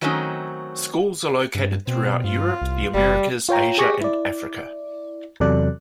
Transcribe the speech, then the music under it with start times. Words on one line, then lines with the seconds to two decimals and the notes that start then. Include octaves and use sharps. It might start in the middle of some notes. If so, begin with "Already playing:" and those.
Schools are located throughout Europe, the Americas, Asia and Africa.
0.01 D#3 F#3 A3 C4 C#4 D#4
1.55 G2
1.87 B2 C4
2.24 G2 F4
2.62 C2
2.94 F#1 G3
3.49 F4 C#5 G5 A#5
3.78 G4 G#4 C#6 D6 A#6 B6
4.01 E4 D5
5.40 E2 C3 F#3 A4 D5 F#6